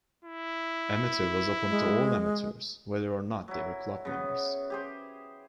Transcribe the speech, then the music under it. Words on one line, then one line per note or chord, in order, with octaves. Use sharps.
Amateur was opened to all amateurs, whether or not they were club members.
E4
G#3
F#3 E4
C#3 B3
G4 G#4 C5